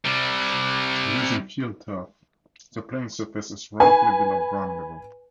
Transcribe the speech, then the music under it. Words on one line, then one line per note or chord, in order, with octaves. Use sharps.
Using FieldTurf, the playing surface is roughly below ground level.
C3 G3
B4 G#5